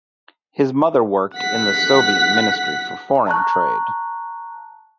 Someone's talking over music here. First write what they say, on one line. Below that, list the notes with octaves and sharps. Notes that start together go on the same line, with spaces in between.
His mother worked in the Soviet Ministry for Foreign Trade.
F#5 B6
A5 A#5 C#6 F#6